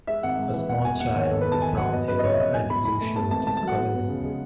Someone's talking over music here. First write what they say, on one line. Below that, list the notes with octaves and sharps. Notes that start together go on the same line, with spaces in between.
A small child with brown hair and a blue shirt is coloring.
G#3 E5
G#1 F#5
G#2
E3
E1 F#5
E1 G#5
D#2 F#5
D#3 C#5
B3 A4
B4
E2
A5
D#3 G#5
F#3 F#5
B3 D#5
F#2 B4
D#5
C#3 C#5
E5
F#3 D#5
E2 G#5
E2 B5
B2 B5
A3
B3 A5
G#1 A5
G#2 A5
A5
F#3
F#5
B3
E2
C#3
G#3